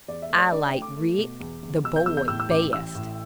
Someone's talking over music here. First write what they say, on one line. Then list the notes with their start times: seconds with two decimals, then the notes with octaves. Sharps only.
I like Rick, the boy, best.
0.08 E2 D5
0.22 E5
0.30 A3
0.38 D5
0.52 D4 D5
0.67 G5
0.74 A3
0.82 D6
0.97 A3
1.18 B2
1.40 E2
1.63 E2
1.84 B2 E6
1.96 G6
2.06 E2 E6
2.17 G6
2.28 A2 E6
2.40 E6
2.51 A1 D6
2.73 A1 E6
2.95 A2